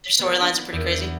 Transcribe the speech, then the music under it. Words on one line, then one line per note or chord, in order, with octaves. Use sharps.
Their story lines are pretty crazy?
B3
D4
E2